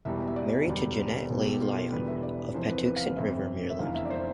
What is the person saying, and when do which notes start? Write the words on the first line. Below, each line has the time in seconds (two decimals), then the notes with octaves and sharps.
Married to Janet Leigh Lyon of Patuxent River, Maryland.
0.05 E1 E2 B2 G3 E5
0.28 E5
0.36 D5
0.67 E1 D2 D3 G3
1.30 B1 B2 G3
1.39 G4
1.45 A4
1.53 G4
1.61 F4
1.76 A4
1.92 E1 E2 D3 G3 B4
2.08 E5
2.23 D5
2.54 E2 C3 F3 C5
2.69 B4
2.85 B4
2.96 F5
3.06 F5
3.17 G1 F2 C3 E5
3.70 E5
3.79 F1 E2 D3 F5
3.95 E5
4.05 D5
4.10 C5